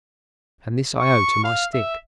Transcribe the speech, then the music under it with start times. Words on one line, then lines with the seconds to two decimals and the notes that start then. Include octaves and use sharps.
And this I owe to my stick.
0.99 C#6
1.44 F5
1.74 E5